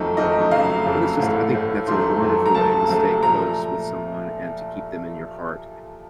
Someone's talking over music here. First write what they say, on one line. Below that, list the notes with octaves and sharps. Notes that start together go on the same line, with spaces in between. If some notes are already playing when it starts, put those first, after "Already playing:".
Um, but it's just I think that's a wonderful way to stay close with someone and to keep them in your heart.
Already playing: F2 D#3 F#3 A3 D#5
F2 D#3 F#3 A3 D#5
F2 C#3 F#3 A3 F5
F2 C#3 F#3 A3
A1 A2 A3
A1 A2 A3
F2 D#3 F#3 A3 C6
F2 D#3 F#3 A3
A#5
D#2 C#3 F#3 A3 A5
D#2 C#3 F#3 A3
A#2 F3 A3 A#5